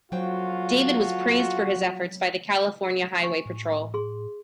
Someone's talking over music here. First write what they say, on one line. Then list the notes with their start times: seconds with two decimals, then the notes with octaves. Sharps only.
David was praised for his efforts by the California Highway Patrol.
0.12 F2 A#2 F#3 F4 F#4 C5 G5
3.21 G#5 C#6
3.46 A2
3.94 G#4 C6